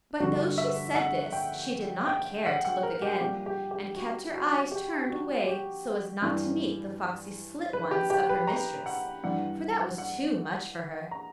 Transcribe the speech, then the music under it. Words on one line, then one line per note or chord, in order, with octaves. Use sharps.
But though she said this she did not care to look again, and kept her eyes turned away so as not to meet the foxy slit ones of her mistress, for that was too much for her.
G2 D3 G3 F#4
E5
F#5
G5
G5
F#5
F#5
A#4
G4
A#2 G3 G4
G4
G4
F#4
F#4
G4
F#4
G4
G2 E3 G3
B4
G4
G4
B4
A#5
F#5
G2 E3 G3 F#5
F#5
A#5